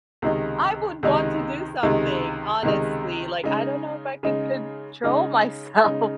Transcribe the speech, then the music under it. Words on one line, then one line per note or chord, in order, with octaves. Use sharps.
I would want to do something, honestly, like I don't know if I could control myself.
C#2 C3 D#3 G#3 D#4
C#2 C3 D#3 G#3 D#4
C#2 C3 D#3 G#3 D#4
C#2 C3 D#3 G#3 D#4
C#3 G#3 D#4
C#3 G#3 D#4
C#3 G#3 D#4
C#3 G#3 D#4